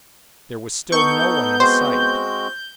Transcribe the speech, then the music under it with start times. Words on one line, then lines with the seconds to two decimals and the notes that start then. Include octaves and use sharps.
There was still no one in sight.
0.92 B3 D#4 A4 C#6 G6
1.60 G#3 C4 F#4 C5